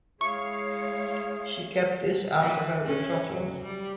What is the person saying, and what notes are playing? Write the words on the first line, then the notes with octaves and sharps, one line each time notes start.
She kept this after her betrothal.
G#3 E4 G#4 C#5 F5 C#6
E3
C#4
F#3
G3